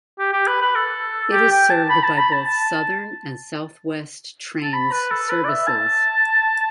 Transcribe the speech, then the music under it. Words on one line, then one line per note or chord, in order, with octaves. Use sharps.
It is served by both Southern and South West Trains services.
G4
G4
B4
B4
A4
G4
G5
A5
B5
A5
B5
A5
A5
A5
B5
B4
A4
B4
D5
E5
A5